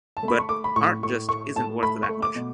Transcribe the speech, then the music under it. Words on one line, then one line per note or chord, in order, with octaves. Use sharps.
But "art just isn't worth that much".
A5
A3
B5
C#6
A3 D6
B5
A2 C#6
A2 C#6
A3 C#6
A2 A5
A3 B5
C#6
A3
D6
B2